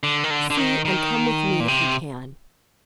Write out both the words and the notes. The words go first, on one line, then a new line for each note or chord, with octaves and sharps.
See and come with me if you can.
D3
D#3
D3
D3
D#3
D#3
A#2
C3